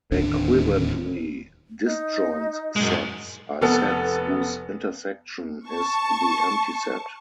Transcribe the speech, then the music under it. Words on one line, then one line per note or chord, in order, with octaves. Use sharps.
Equivalently, disjoint sets are sets whose intersection is the empty set.
D1 D#2 D4
D#4
F#2 G#3
F1 B3 A4
A5 C#6